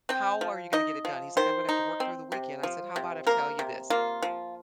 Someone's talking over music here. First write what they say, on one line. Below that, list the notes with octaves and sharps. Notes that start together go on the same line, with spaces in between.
how are you gonna get it done?" He's like, "I'm gonna have to work through the weekend." I said, "How about I tell you this?
C4 G5
F3
D#4 D#5
F3
D#3 C5
D#4
C4
C3
F3
C3
A#3 A#4
C3
A#3 F4
F3